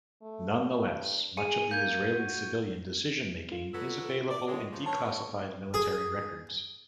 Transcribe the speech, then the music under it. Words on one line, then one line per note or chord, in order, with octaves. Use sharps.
Nonetheless, much of the Israeli civilian decision-making is available in declassified military records.
A3
G2
G#4 C#7 D#7
A#3 G6 G#6
F#4
F4
F#3 B3 A4
D5
E3 G#3 C#5
C#3 F3
B2 C#5 A5
G#4